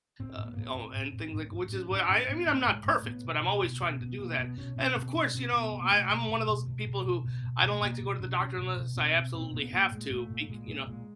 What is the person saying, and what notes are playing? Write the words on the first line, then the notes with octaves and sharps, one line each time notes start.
uh, oh, and things like which is what I mean, I'm not perfect, but I'm always trying to do that, and of course, you know, I I'm one of those people who, I don't like to go to the doctor unless I absolutely have to, becau you know,
A2 C4
A2
B3
A#3
A2 B3
C4
A2
A2
A2
A2
A2
A2 C#4
A2 D4
A2 C#4
A2 B3
A2 A#3
A2 G#3
A2 A3
A2 B3
B2
B2
B2
B2
B2 B3
B2 A#3
B2 B3
B2 C#4
B2 C#4
B2 C4
B2 C#4
B2 C4
B2 B3
B2
A#3
B2 A3
B2
B2
B2
B2
B2
B2
B2
B2
B2
A3
B2 A#3
B2
B2 C#4
B2 C#4
B2
B2
B2 C4
B2
A#2 C4
A#2 B3
A#2 A#3
A#2 G#3
A#2 A3
A#2
A#2 G#3
A#2
A#2 G#3